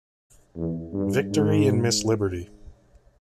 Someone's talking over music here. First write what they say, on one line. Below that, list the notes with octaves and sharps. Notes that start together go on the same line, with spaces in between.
Victory and Miss Liberty.
E2
G2
G#2